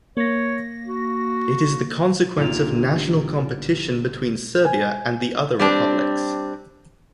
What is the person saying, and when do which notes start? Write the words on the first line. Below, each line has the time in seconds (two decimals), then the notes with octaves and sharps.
It is the consequence of national competition between Serbia and the other republics.
0.17 A#3 C#5 A#6
0.86 F#4
2.37 G1 A#2 D#4 F4 F7
4.65 G#5
5.59 G3 C4 D4